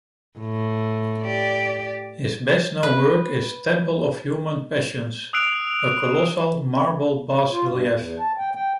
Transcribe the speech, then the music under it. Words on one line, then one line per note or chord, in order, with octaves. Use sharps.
His best known work is "Temple of Human Passions", a colossal marble bas-relief.
A2
G4 D5
B4
D#6 E6 F#6 C7 D7 F7
F4
G2
E2
A5
G5
G5